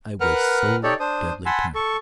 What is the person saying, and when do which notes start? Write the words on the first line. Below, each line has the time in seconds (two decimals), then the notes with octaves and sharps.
I was so deadly tired.
0.21 A#4 B4 F#5 F6 F#6
0.83 D#4 G4 A4 C#5 D5
1.00 D4 C5 D#6
1.46 F#5 G#5 A5 B5 C6 E6
1.75 A4 C#6